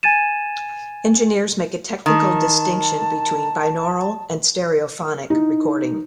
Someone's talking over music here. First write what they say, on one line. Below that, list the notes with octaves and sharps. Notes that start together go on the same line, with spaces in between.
Engineers make a technical distinction between "binaural" and "stereophonic" recording.
G#5 G#6 A6 D#7 E7
D#3 A5
D#4 E4